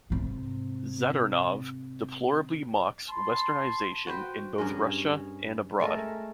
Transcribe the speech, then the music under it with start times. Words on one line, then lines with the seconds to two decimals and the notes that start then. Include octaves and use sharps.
Zadornov deplorably mocks westernization in both Russia and abroad.
0.10 G#2 C3
3.09 A5 B5 C6
4.07 F#4 B4 C5 G5
4.58 G2 C#4 G#4 A#4
5.80 G#3 A3 A4 A#4